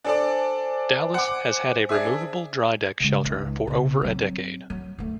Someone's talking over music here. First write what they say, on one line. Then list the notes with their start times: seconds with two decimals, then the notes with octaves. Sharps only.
"Dallas" has had a removable Dry Deck Shelter for over a decade.
0.04 D4 A4 C5 D5 G#5
1.14 F#5 D6
1.89 D4 G#4 E5
3.00 C#3 G#3
3.24 C#2 D#4
3.67 B1 C#3
4.02 F#3 C4
4.70 F#3
4.99 D2 A3